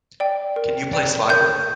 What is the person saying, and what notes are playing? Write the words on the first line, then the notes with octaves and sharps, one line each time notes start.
Can you play Slacker?
D5 G5
A#4
D5 G5
A#4 G6